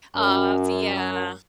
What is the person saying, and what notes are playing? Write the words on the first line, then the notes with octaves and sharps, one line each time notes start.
Ah, see, yeah.
F#2